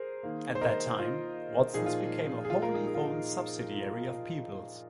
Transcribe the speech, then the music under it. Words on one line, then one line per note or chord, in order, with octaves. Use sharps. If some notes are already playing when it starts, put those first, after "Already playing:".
At that time, Watson's became a wholly owned subsidiary of Peebles.
Already playing: G#4 A#4 C5
D#3 A#3
C5
A#4 D#5
F4
A#2 F3 A#3 D#4 G#4
F4
G#4
F4
F4 A#4
D#4 G#4
G#4
F4
D#4